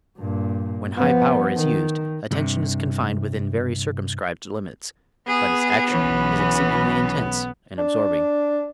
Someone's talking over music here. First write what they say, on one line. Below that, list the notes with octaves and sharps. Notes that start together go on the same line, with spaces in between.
When high power is used attention is confined within very circumscribed limits, but its action is exceedingly intense and absorbing.
G2 A#2
F3 B3
D#3
G2 C3
B3 G#4
B1 E3 C#4
D4